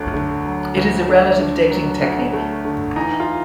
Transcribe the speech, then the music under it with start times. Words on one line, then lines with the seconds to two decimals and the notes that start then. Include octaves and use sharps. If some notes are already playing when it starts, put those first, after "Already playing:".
It is a relative dating technique.
Already playing: D2 F#3 A3
0.14 D3
0.46 F#3
0.77 D2
1.08 A3 D4
1.39 D3
1.71 F#3
2.02 D2
2.33 A3
2.65 D3
2.96 E3 D#4
3.20 F4